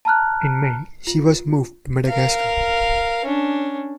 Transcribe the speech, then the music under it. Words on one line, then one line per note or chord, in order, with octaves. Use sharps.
In May she was moved to Madagascar.
A5 A#5 F6 F#6
F4
A#4 F5
C#4 D4